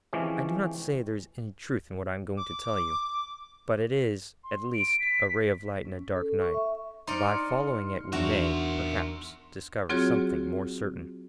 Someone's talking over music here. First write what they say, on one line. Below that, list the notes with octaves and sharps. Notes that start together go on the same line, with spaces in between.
"I do not say there is any truth in what I am going to tell you, but it is, at least, a ray of light in a dark night; by following it we may, perhaps, discover something more certain."
E3 F3 G#3 C4 C#4 G4
D6
C6
D7
B6
C#4
A4
C#6
E5
D#4 D5 C6 F6 C#7
E2 D4 F#4 A#4 E5
F#3 C4 F4 F#4 G#4 C#5